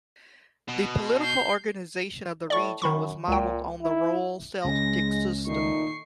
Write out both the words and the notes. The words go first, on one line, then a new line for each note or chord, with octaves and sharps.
The political organization of the region was modeled on the royal Celtic system.
B2
G6 C7
A2 D5 C#6
F#2 D#3 B5 C#6
C#2 A#2 G5
E4
C#2 G#3 C#4 A#6
A#2 D#3 A3 D#4 C#6 C7